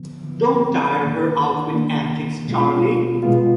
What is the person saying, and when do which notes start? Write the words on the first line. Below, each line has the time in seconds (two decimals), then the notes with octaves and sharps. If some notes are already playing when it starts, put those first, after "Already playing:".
Don't tire her out with antics, Charlie.
Already playing: D3 F3 B3
0.24 D3 F3 B3
0.98 D#3 A#3 D4
1.73 D#3 A#3 D4
2.48 B2 G#3 B3 F4
3.23 B2 G#3 B3 F4